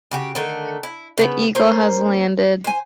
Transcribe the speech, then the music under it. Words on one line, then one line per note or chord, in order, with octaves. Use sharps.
The Eagle has landed.
C#3 F#4 G4
D3 D#3 A3
E4
C#3 G#3 B3
A#3 C#4 C5
C5 G#5